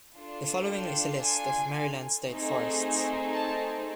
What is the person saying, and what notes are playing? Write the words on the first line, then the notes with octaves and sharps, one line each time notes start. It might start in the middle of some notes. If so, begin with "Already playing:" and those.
The following is a list of Maryland state forests.
D4 F4 A4
G5
G#5
A3 C4 D#4 G#4
A5